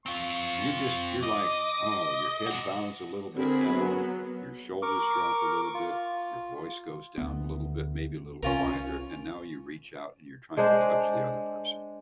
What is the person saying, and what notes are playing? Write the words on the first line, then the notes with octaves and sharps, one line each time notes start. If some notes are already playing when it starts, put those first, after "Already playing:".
You're just you're like, "Oh" your head bows a little bit down, your shoulders drop a little bit, your voice goes down a little bit, maybe a little quieter, and now you reach out and you're trying to touch the other person.
C4 F4 C#6
D#5 D6
B1 F#4
D3 C4 G#4 A#4 B5
F#3 B3
A#4 C#6 D6
F4
D2 B3
C2 C#4 F4 A#4
G#3 D4 C5